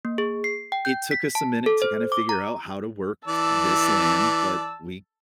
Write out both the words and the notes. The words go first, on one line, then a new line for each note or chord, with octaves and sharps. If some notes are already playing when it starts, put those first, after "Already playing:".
it took us a minute to kinda figure out how to work this land, but we
A#3
G#4
C7
G5
G6
B6
A5
A4
C5
D6
A#5
E3 D5 A5 E6